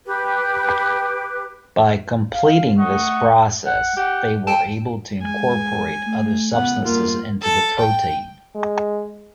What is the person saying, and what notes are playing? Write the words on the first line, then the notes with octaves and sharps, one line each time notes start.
By completing this process, they were able to incorporate other substances into the protein.
G4 B4
F5
A3 D#5 F#5 C#6
F#5
G4 F#5
G5 A5
G#3 G#5
A3
C#2 B3 F#5
G2 A#3 F4
A4
G5
G#3